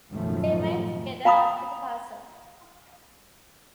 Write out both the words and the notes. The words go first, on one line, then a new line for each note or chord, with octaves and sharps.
They went together up to the Castle.
B1 F#2 A2 D#3 F3 A3
F5 A#5 B5 D6 D#6